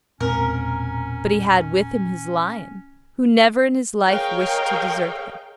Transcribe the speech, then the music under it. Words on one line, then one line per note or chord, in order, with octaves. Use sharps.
But he had with him his lion, who never in his life wished to desert him.
E1 A1 A#2 C4 C#4 A#4
G#4 A#4 C#5 D#5 F5 G5